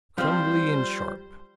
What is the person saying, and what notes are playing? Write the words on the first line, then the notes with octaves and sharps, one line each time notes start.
Crumbly and sharp.
F3 G3 C4 C5